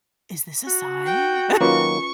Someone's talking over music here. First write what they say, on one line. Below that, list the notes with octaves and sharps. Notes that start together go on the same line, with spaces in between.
"Is this a sign?"
F#4
G5
D#3 F#3 A#3 C#4 F4 B4 C#6